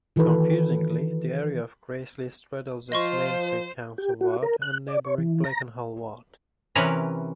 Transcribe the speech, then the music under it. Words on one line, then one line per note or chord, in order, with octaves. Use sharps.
Confusingly, the area of Graiseley straddles its namesake council ward and neighbouring Blakenhall ward.
D#3 E3 F#4 A4 B4
F3 F4 C5 D#5 C6 C#6
G4
F#4
A#4
F#6
D5
C#5
E3
A#5
C3 E3 C#4 A#4 B4